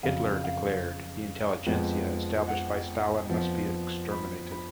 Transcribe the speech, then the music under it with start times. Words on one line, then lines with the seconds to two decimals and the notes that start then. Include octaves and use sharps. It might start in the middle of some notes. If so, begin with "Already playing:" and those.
Hitler declared: The intelligentsia established by Stalin must be exterminated.
0.03 F2 C#3 F#3 F5
0.44 F5
1.66 F2 F3 G#3 B3
2.48 F#5
3.30 F2 F3 B3
4.11 B5
4.52 B5